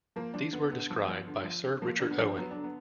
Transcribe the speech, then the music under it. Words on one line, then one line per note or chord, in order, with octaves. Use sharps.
These were described by Sir Richard Owen.
F3 A#3
F3 D4
D3 B3
D3 B3
F3
F3
D3
F3
D3
F3 A#3
D3 D4
B3
F3 D4
F#3 B3
D4
D3
B3